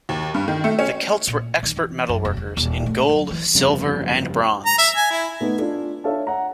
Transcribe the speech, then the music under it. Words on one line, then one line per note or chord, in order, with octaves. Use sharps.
The Celts were expert metalworkers, in gold, silver and bronze.
D#2
G2
D#3
A3
C#4
A#2
D#3
E3
F#2
E1
C#3
D#1
A3
F#3
E3
G1 F2 C#3 G3
A#5
E5
G#5
E4
A3 B3 D#4
D4 F4 A4
D4 A4 C#5 E5 F5 A5
F#5 A#5